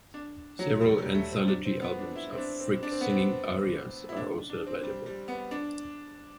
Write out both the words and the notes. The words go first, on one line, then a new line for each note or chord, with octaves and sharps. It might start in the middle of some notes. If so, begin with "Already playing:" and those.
Several anthology albums of Frick singing arias are also available.
D4
F#3
G3
G3
A3
C4
D4
C4
B3
D4
E4
C4
D4
C4
D4
C4
B3
C4
E4
D4
D4
C4
G3
G3
B3
D4